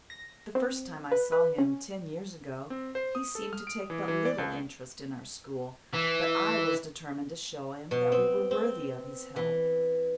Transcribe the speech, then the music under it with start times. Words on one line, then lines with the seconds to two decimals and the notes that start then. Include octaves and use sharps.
The first time I saw him, ten years ago, he seemed to take but little interest in our school, but I was determined to show him that we were worthy of his help.
0.10 A#6
0.55 C4
1.12 B4
1.32 B4
1.58 C#4
2.70 C4
2.95 C5
3.15 D#6
3.35 A4
3.53 F6
3.67 D7
3.90 E3
4.08 E3
4.25 D5
4.38 C#2
5.94 E3
7.91 B2
8.12 C4
8.51 C4
9.36 E3